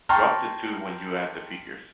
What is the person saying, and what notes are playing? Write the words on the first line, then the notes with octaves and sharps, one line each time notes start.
Drop the two when you add the figures.
G5 A5 A#5 C6 C#6 F6